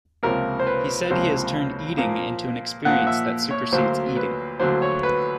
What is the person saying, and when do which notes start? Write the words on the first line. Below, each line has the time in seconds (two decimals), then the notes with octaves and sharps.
He said he has turned eating into an experience that supersedes eating.
0.23 C#2 C3 F3 A#3 A#4
0.60 C5
0.67 B4
1.11 C#2 C3 F3 A#3 C5
1.98 A#2 F3 A#3
2.85 A#2 F3 A#3 F#5
3.07 E5
3.51 C#5
3.72 D2 D3 F#3 A#3 C5
4.17 B4
4.60 D2 D3 F#3 A#3 C5
4.82 C#5
5.03 B4